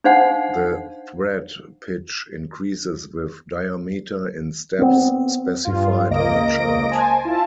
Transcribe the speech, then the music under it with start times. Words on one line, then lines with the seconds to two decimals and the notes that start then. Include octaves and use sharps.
The thread pitch increases with diameter in steps specified on a chart.
0.04 D4 D#4 C5 F5 F#5
4.78 B3 C4
5.65 G2 F4
6.10 C#2 A#3 D#5 A#6 D7
6.91 C5 G#5 A5
7.25 E4 F4 A5